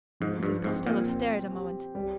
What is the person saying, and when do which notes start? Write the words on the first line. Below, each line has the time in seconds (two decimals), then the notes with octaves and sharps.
Mrs. Costello stared a moment.
0.20 G#2 F3
0.43 G2
0.64 G#2 C4
0.87 A#2
1.08 C4
1.52 G4
1.95 G3